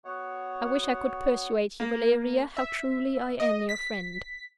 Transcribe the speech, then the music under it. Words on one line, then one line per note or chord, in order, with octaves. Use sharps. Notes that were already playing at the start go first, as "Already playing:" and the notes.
I wish I could persuade you, Valeria, how truly I am your friend.
B3 F#4 C#5 F#5
A#3
E5
D#5
B6